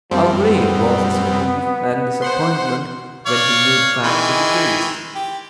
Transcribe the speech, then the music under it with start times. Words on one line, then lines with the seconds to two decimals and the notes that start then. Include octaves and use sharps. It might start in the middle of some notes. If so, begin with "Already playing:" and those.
How great was his grief and disappointment when he knew the facts of the case!
0.11 F#2 F3 G3 C4
0.42 B3
2.22 C5 F#5 C6
3.26 C#5 D5 F5
4.03 D#3 E3 G#3
5.15 G4